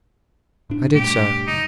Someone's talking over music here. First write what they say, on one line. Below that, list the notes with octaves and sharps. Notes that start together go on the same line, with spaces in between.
I did so.
A2 D4
G2 A#2 A3 G4
F#1 D#4